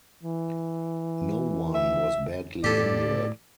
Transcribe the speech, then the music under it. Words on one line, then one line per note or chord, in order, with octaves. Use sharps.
No one was badly injured.
E3
E5
A2 G4 A4 D5